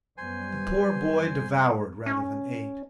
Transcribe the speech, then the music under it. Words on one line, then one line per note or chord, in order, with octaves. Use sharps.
The poor boy devoured rather than ate.
F#2 G3 B3 C5 G#5
C#4